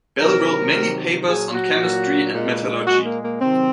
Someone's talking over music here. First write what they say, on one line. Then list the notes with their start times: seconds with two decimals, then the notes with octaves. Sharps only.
Bell wrote many papers on chemistry and metallurgy.
0.21 C3 D#3 F#3 A#4
0.74 C3 D#3 F#3
1.27 A#2 F#3 G#4
1.55 F#4
1.82 A#2 F#3
2.34 A#2 G#3
2.87 A#2 G#3 F#4
3.05 A#3
3.24 A#3
3.41 C3 D#3 F#3 C4